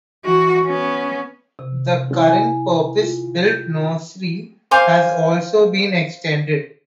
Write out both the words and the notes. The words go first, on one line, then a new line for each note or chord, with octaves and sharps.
The current purpose built Nursery has also been extended.
E3 F#4
B3 C#4
C3
E4
G#5
F4
G6
C5 F5 G#5 D6